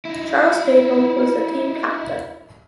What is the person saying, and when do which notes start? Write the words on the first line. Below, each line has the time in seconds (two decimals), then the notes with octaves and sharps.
Charles Nagle was the team captain.
0.05 D#4 E4